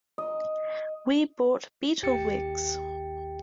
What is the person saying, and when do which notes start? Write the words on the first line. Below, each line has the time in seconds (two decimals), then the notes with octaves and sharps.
We bought Beatle wigs.
0.18 D#5
2.03 G#1 D#2 G4 G5 A6 C#7